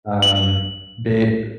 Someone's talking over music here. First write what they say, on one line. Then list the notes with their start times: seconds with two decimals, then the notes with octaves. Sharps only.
um, Bi
0.22 F#7